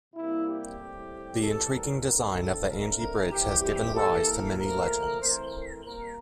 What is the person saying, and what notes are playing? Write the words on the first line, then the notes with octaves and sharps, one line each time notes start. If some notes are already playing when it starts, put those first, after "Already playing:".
The intriguing design of the Anji bridge has given rise to many legends.
C3 G3 A#3 E4
G4
A2 G3 C4
C3 E3 G3 A4
A#4
D3 F3 A3 C4 A#4
A4
D3 A3 C4 A#4
A#4
E3 G3 C4 G4
G4
E3 A#3 A4
A#4
A#2 F3 A3 A#4
E3 A3 C4 C5
A#4
A#2 G3 A#3 A#4